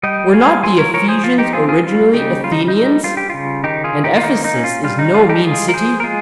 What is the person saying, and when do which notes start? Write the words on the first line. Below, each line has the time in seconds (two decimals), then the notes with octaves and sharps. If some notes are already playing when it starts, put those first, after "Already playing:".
Were not the Ephesians originally Athenians, and Ephesus is no mean city?
0.03 G3 D#5 G5
0.33 G3 F5 G#5
0.63 F3 G#5 C6
0.78 A#4 C#5
0.94 F3 A#4 C#5
1.08 G#4 C5
1.24 F3 F4
1.38 D#4 G4
1.53 C4 F4 G#4
1.69 F4 G#4
1.83 G3 F4
2.13 C#3 D#4 G4
2.43 G3 F4
2.52 D#4
2.68 G3 D#4
3.04 G3 F4
3.17 G4
3.30 C#3 F4
3.64 D#3 D#4 G4
3.84 F4 G#4
3.93 D#3
4.04 D#4 G4
4.17 F4
4.23 A#3 D#4
4.45 D#4
4.54 C#4
4.64 F4
4.84 G3 F4
4.99 D#4
5.14 G3 F4
5.29 D#4 G4
5.44 G#3 F4 G#4
5.69 A#4
5.73 F3 G#4 C5
6.00 A#4
6.04 G#3 F4 G#4